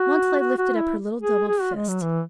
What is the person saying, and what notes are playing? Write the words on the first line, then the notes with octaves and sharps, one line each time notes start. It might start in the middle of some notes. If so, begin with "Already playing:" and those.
Montalais lifted up her little doubled fist.
Already playing: F#4
F#4
F#4
E4
G#4
G#4
F#4
G#3
F#3
E3